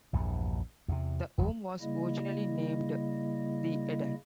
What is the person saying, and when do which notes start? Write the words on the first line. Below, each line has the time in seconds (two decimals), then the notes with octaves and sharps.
The home was originally named "The Eden".
0.13 A#1 E2 G2
0.88 E2 C3
1.38 F#1 E2 F#3
1.81 C#3 G3 A#3 E4 D#5